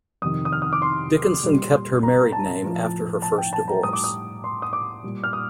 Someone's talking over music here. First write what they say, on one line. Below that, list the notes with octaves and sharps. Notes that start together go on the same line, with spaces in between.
Dickinson kept her married name after her first divorce.
F2 C3 D#3 D#6
D#6
F6
D#6
D6
C6
A#2 G3
A#5
A5
A2 F3
A5
G5
A5
A#5
A2 G3 D#6
D6
D#6
C6
D#6
D6
A#2 G3
F6
D#6